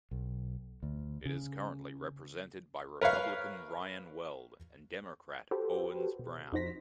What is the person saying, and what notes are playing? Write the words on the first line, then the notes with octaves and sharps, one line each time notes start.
It is currently represented by Republican Ryan Weld and Democrat Owens Brown.
B1
D2
C#3
A#4 B4 C#5 F5
F#4 G4 A4 B4 C5
B2
F2 D#4 F#4 C5 A#6 B6